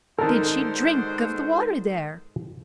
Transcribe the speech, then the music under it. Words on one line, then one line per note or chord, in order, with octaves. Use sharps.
"Did she drink of the water there?"
G#2 B2 D3 D#3 A4 A#4 C5 A5